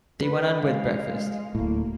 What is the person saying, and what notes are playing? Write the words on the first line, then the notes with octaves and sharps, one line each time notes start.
They went on with breakfast.
B4
G#3 F5
D1 A2 A#3